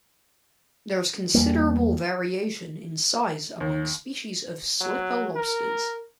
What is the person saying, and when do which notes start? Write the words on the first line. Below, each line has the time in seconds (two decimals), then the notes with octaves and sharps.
There is considerable variation in size among species of slipper lobsters.
1.34 E2 G3 A#3
3.60 D#2
4.80 F#3
5.36 A#4